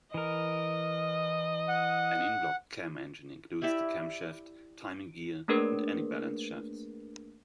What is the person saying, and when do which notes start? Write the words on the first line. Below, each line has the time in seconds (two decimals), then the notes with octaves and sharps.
An in-block cam engine includes the camshaft, timing gear, and any balance shafts.
0.14 E3 A#4 D#5
1.68 F#5
3.62 E4 G4 D5 E5
5.48 A3 A#3 D4 G#4 A#4 B4